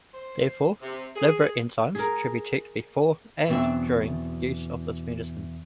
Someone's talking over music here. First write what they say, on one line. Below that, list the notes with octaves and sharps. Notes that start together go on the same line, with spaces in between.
Therefore, liver enzymes should be checked before and during use of this medicine.
C5
C3
G#4
G#4 A#4
E2 B2 F#3 C4 D4 E5